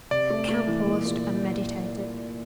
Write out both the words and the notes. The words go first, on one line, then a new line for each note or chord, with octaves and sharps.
The count paused and meditated.
C3 D5
A3
A3
E3
A#2
A#2